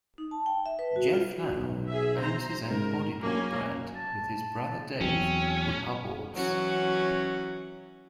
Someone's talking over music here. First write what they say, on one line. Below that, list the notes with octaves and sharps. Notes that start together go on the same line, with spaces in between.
Jeff Now owns his own bodyboard brand with his brother dave called Hubboards.
D#4
A5
G5
E5
B4
F#4
F4
B1
G#4 E5
C5 A#5
G#2 A#4
F#2 A#3 C#4 G#5
A5
E2 F#3 C4 C#4
E3 F#3 C#4 F#4